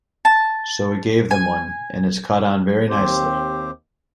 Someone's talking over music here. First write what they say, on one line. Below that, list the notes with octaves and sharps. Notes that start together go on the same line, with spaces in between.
So we gave them one, and it's caught on very nicely.
A5
G#5
D#2 C4 G4 C5